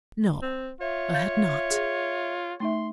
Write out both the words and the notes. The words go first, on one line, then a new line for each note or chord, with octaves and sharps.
No, I had not.
C4
F4 C#5 E5
F5 G6 A6
G#4
A3 D#4 E5 C6